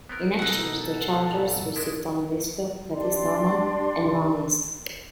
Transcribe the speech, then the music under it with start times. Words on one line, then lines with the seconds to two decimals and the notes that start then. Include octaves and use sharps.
In exchange, the Chargers received Tony Liscio, Pettis Norman, and Ron East.
0.09 B3 C4 A#4
0.39 B2 D#4 A4 F#5
1.32 F2 G#2
1.76 G#3 D4 E4
2.92 D4 G4 D5 C6